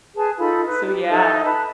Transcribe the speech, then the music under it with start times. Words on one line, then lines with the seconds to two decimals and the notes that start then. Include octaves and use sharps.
So, yeah.
0.16 G#4 B4 G#5 A5
0.39 D#4 F4 A4 B5
0.66 D#4 B4
0.86 G4
1.09 D#4 A4 D#5 E5
1.44 B4 A5 B5